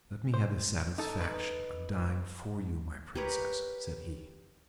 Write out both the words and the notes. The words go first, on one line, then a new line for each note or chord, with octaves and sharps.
"Let me have the satisfaction of dying for you, my Princess," said he.
C5
D#4 A4
B4
G4 A#4 B4 C#5